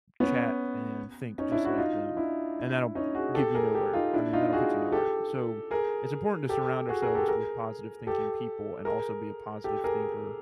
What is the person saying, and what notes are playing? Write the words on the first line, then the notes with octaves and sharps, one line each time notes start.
chat and think just like them, and that'll give you nowhere I mean, that'll put you nowhere, so it's important to surround ourselves with positive-thinking people and also be a positive thinker
B3 C#4
C#4 D#4
D4 E4
E4 F#4
D#4 F4
D4 E4
C#4 D#4
F#4 G#4
G4 A4
G#4 A#4
G4 A4
D#4 F4
D4 E4
D#4 F4
F#4 G#4
G4 A4
G#4 A#4
G4 A4
F#4 G#4
G#4 A#4
G4 A4
G#4 A#4
G4 A4
G#4 A#4
G4 A4
G#4 A#4